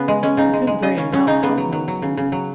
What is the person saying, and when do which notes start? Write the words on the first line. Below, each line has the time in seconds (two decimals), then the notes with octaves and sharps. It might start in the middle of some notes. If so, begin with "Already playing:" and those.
"I couldn't very well help noticing it."
Already playing: C#3 B3
0.08 G#3
0.23 G#3 C#4
0.37 C#3 D#4
0.53 G#3
0.67 G#3
0.82 C#3 D#5
0.97 C#3 C#4
1.12 C#3 C#4
1.27 C#3 D#4
1.43 C#3 B3
1.58 F#3
1.72 F#3
1.88 F#3
2.02 C#3
2.17 C#3
2.32 F#3